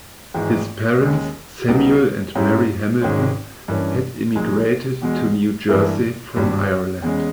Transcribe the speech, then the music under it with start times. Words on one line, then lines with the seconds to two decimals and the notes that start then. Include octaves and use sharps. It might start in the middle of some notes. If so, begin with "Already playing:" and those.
His parents, Samuel and Mary Hamilton, had immigrated to New Jersey from Ireland.
0.34 G#1 G#2 E3 G#3
1.00 D#2 C#3 G#3
1.68 C#2 B2 G3 B3 D#4
2.35 G#2 G3 C#4 E4
3.01 G#1 G#2 D#3 G#3 C#4
3.68 G2 E3 A#3 C#4
4.35 A#1 A#2 G#3 D#4
5.02 E2 B2 G#3
5.69 G2 E3 A#3 E4
6.36 G#1 G2 G3
7.02 E2 C#3 G#3